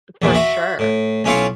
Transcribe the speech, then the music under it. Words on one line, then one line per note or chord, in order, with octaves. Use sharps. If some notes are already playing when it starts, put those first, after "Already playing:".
For sure.
A#1 E2 B2 E3
F#4 E5
A2
B1 C#4 E4 F4 F5 C#6